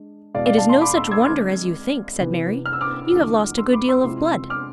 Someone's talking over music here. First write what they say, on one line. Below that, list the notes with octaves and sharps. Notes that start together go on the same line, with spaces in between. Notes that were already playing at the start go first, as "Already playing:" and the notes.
"It is no such wonder as you think," said Mary; "you have lost a good deal of blood."
Already playing: G#3 D4
E2 B2 G#3 D5 F5
D5 F5
F5 A5
A5 C6
B5 D6
C6 E6
E6 G#6
D3 G#3 C4 D6 F6
C3 E3 B3
F6
E6
D6 F6
E2 D3 F3 G#3
C6 E6
B5 D6
C6 E6
C3 F3 G#3 C4 E4
D6 F6